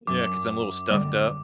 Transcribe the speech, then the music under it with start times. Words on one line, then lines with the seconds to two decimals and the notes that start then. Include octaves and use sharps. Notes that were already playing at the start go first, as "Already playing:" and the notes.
Yeah, 'cause I'm a little stuffed up.
0.07 F#2 D6
0.91 D3 G3